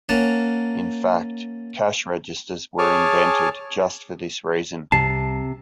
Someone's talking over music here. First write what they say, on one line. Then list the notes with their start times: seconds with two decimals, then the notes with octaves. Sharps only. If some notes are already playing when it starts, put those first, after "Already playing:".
In fact, cash registers were invented just for this reason.
0.09 A#3 C#4 A#4 F#5 A5
2.78 G#4 C#5 G#5 A5 D6 F6
4.92 C2 C3 A5 C7